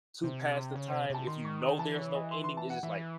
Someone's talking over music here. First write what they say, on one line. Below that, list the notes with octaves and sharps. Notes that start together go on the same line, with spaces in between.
to pass the time. If you know there's no ending, it's just, like,
C3 C5
C#3 C#5
C5
C3
C3 A5
D#3 C6
C#6
D#6
E3 A5
C#5
D#5
C6
C6
A5
F#5
E3 E5